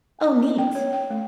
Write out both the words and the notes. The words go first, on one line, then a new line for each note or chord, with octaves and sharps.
Oh, neat.
A#5
C#4
G5
C#5
G5
A3